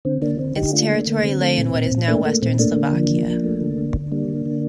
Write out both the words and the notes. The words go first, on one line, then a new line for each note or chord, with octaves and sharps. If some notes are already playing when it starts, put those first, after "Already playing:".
Its territory lay in what is now western Slovakia.
D3 C4
D3 A#3 D4
D3 C4
D3 D#4 G4
A3 D4 F4
A3 A#3 D4
D3 A#3
D3 C4
A3
A#2
A#2
A#2
A3 A#3 D4
A3 A#3
A#2 C4
A3 A#3 D4
D3
F3
F3
F3
A3
D3
D3
D3
G3 A#3 D4
D3
D3